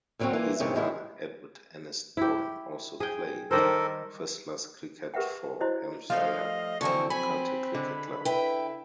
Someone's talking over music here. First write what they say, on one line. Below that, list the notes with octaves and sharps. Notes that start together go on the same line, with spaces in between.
His brother, Edward Ernest Bowen also played first-class cricket for Hampshire County Cricket Club.
D2 D3 F#3 A3 C4 C#4
E3 A#3 F4
F2 A2 C3 D#3 G#3 C#4
G3 G#3 E4 A4 A#4
E4 G4
G#4 G5
D#3 G3 A4 A#4 C5
G4 A#4 B4 E5 F#5 G5
E4 F#4 C5 C#5 D#5
F3 G3 A3 D#5 F5
F2 D3 E3 F#3 C4 C#6
C4 G#5 B5
D3 G#3
E4 B4 G5